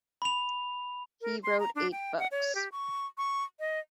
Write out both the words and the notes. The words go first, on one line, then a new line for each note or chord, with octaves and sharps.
He wrote eight books.
B5 F7
A#4
C6
A#5
D4
G5
F#5
C#5
G4
C#6
C#6
D#5